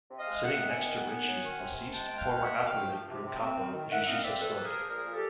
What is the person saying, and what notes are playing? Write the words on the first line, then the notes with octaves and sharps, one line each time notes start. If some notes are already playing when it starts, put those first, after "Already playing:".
Sitting next to Richie is the deceased, former Aprile Crew capo Gigi Cestone.
C3
D#5 F5
G#3
D#3 E5 F#5
B3
F#5 G#5
D#3
B3
B3
F#3
D#3
C3
C3
G#3 G5 A5
G#3
F5 G5
D#3
F3 E5 F#5
C3
F5 G5
A3
F3
C3
C3
C4
D#3
D#3
D#3 E5 F#5
C4 D#5 F5
C4 D5 E5
F3 A4 B4
A#3
G#4 A#4
F3
A#2 G#4 A#4
A#2
G4 A4